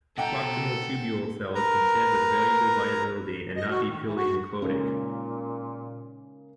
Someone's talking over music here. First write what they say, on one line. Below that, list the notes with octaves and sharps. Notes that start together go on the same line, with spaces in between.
Proximal tubule cells can shed with variable viability and not be purely "necrotic".
B2 A4 F#5 G5 A#5
A#4 B4 A#5
D#5
F#4
D#3
E3
F#4
A#2 C#3 G#3 A#3 C#4 D#4